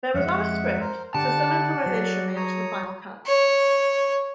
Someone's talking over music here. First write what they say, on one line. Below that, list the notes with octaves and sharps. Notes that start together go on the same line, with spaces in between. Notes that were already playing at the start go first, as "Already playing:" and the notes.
There was not a script, so some improvisation made it to the final cut.
F2 G#3 E5 F#5
A#4 C5
D3 G4 D5 F#5 A5
F#3 G#4
C#5 A#5 D#6
C#5